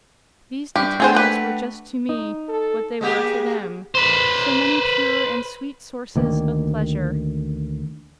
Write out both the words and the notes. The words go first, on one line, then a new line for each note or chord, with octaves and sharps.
These details were just to me what they were to them--so many pure and sweet sources of pleasure.
G2 G4
A3 C4 D4 G#4 C5 F#5
G4 B4
D#4
A4
G#3 A#3 G4
B4 C5
D2 D#3 A#3